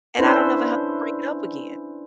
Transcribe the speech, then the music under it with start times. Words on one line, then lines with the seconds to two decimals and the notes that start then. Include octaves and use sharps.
and I don't ever have to bring it up again."
0.19 C#4 D4 E4 A4 B4 C5